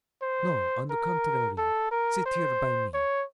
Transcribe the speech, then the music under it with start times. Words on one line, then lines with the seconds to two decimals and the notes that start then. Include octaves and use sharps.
'No, on the contrary, sit here by me.
0.22 C5
0.90 A#4
1.58 A4
1.91 A#4
2.26 C5
2.94 C#5